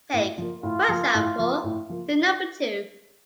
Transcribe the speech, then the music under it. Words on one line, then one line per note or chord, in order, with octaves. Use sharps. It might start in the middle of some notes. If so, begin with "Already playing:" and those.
Take, for example, the number two.
A2
F3 A#3
A2 F4
F3 A#3
A2
F3 A#3
A2
F3 A#3